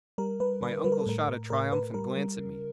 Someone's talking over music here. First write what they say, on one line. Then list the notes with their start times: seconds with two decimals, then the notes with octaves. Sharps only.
My uncle shot a triumphant glance at me.
0.18 G3 A#4
0.40 G3 B4
0.62 D3 B4
0.84 G3 B4
0.92 A#4
1.00 A4
1.06 A2 A#4
1.28 A2
1.50 A2 A#4
1.72 A2 B4
1.94 G3 A#4
2.16 G3
2.39 C#3